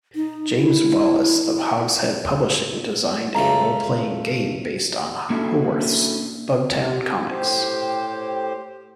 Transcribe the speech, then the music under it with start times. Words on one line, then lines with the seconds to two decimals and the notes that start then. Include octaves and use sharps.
James Wallis of Hogshead Publishing designed a roleplaying game based on Howarth's "Bugtown" comics.
0.15 D#4
0.56 E4
3.35 C#2 C#3 A3 A4 A#5
5.30 A#3 C#4 D4 E4 F#4 A4
7.30 A2 G4 C5